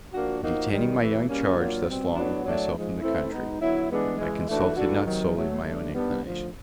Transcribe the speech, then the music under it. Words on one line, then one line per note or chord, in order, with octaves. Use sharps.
In detaining my young charge thus long with myself in the country, I consulted not solely my own inclination.
F3 A#3 D4 F#4
F3 A#3 D#4 F#4
F#2 D#3 G3
C3 E3 A3
B2 G3 A#3 C#4
A#2 F#3 A#3 D4 F4
B2 G3 C4
A2 F#3 B3 D4 F#4
A2 F#3 A3 D4
G#2 F3 G#3
E3 A3 C4 E4
B2 G#3 B3 D#4
D3 F#3 B3 E4
G2 E3 G#3 B3 D4
C#3 E3 G#3
G#2 E3 A3 D4 F#4
G2 E3 A3 D4 F#4
C3 D#3 F#3
B2 F#3 A3
G2 D3 F#3 A3 D4
D#3 G3 B3 D4
D3 F3 A3